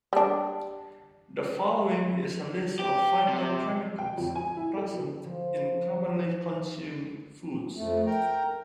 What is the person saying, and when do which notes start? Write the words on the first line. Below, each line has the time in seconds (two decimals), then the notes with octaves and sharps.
The following is a list of phytochemicals present in commonly consumed foods.
0.13 G3 D4
2.79 G4
3.29 C3
3.98 G5
4.17 F2
4.35 G#5
4.57 E4
4.77 A4
4.94 B2
5.25 F3
7.76 F2 A3
8.06 A#4 G5 A#5